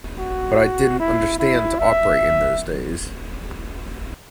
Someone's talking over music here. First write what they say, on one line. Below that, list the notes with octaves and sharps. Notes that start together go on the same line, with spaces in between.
But I didn't understand to operate in those days.
F#4
E4
E4
E5